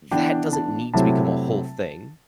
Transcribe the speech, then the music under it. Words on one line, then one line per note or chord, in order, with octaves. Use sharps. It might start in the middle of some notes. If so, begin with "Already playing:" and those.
That doesn't need to become a whole thing.
E3 B3 D4 G5
A5
C3 F#3 A3 C4 E4 A5